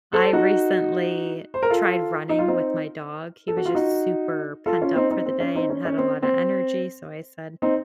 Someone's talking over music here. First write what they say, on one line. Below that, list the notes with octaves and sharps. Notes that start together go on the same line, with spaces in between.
I recently tried running with my dog, he was just super pent-up for the day and had a lotta energy, so I said,
A4 C5
D#4 F#4
C5
A#4
F4 A4
D#4
F4
C4 D#4
A4
F#4
F4
D#4 F#4
F4 A4
C#4 F4
C4 D#4
C4 D#4
C4
C#4
C4 D#4
C#4
C#4
C4
C4
C4 D#4